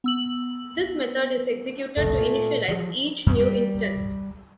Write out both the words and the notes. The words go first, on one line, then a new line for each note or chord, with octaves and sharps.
This method is executed to initialize each new instance.
B3 E6 F#7
F#1 C2 F2 A3
A#2
F3 F#3
F#2
G3